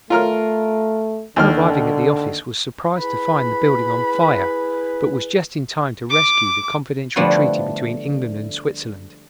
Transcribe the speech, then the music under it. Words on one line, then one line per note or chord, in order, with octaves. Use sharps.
On arriving at the office was surprised to find the building on fire, but was just in time to rescue the confidential treaty between England and Switzerland.
A3 F4 A#4 F6
D#2 D3 F6
E4 G#4 B4 B5
D6
D3 F3 G3 A3 B3 E4